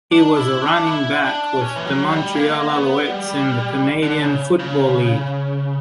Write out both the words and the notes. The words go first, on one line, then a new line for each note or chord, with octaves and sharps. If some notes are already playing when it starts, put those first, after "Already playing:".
He was a running back with the Montreal Alouettes in the Canadian Football League.
D4
E4
D4
E4
D4
C#4
E3
F#3
G3
A#3
B3
G3
D3
C#3
C#3